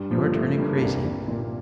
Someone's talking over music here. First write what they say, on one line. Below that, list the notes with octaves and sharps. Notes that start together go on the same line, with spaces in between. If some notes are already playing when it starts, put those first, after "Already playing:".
You are turning crazy, I think.
Already playing: G2 G3
F3 A#3
F3 A3
G2 A#3
C2 A#3
C2
A#2